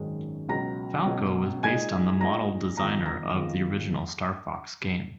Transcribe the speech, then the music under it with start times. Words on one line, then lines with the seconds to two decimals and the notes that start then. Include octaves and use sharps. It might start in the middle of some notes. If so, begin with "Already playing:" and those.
Falco was based on the model designer of the original "Star Fox" game.
Already playing: G#1 F#2 D#3 G#3 C#4
0.49 C#2 B2 F#3 C#4 A#5 A#6
1.06 C#2 B2 F#3 C#4
1.63 A#2 G#3 D#4 G#5 G#6
2.20 A#2 G#3 D#4 A#5 A#6
2.77 F2 D#3 G#3 B3 F4 A#5 A#6
3.06 A#5 A#6
3.34 F2 D#3 G#3 B3 F4